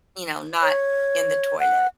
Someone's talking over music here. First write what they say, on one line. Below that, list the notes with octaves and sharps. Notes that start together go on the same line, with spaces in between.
you know, not in the toilet.
C#5
F#5